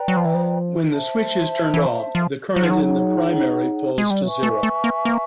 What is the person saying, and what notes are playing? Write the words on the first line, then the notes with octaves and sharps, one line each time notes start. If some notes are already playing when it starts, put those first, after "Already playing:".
When the switch is turned off, the current in the primary falls to zero.
Already playing: B4 D5 G5 A#5
F#3
F3
E3
F3
C5 E5 A5
E3
F3
F#3 D#4 G#4 C#5 F#5
F3
F#3
G#3
G3
F#3 B4 E5 G#5 C#6
A3
A3
A#3
A#3